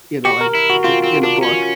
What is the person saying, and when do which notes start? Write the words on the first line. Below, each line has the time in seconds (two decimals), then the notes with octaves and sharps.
you know, like, in in a book.
0.25 F#4 G4
0.41 A#4
0.55 E4
0.70 F#4
0.84 C4 F4
1.04 C4
1.23 D4
1.43 C#4